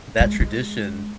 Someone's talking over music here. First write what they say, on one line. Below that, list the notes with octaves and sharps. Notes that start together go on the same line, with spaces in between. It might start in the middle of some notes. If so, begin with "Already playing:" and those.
that tradition
G#3
G#3